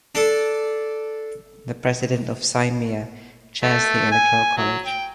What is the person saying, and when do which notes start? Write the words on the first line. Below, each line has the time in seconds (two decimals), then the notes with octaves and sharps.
The president of the Saeima chairs the electoral college.
0.15 D4 A4
3.63 A3
4.12 G#5
4.57 F#3
4.86 G5